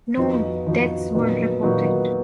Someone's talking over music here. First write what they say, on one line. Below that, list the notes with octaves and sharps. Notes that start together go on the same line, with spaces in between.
No deaths were reported.
F2 F3 B3 D#4 F#4
F2 F3 B3 D#4 F#4
A#2 F#3 B3 D#4 F#4
A#2 F#3 B3 D#4 F#4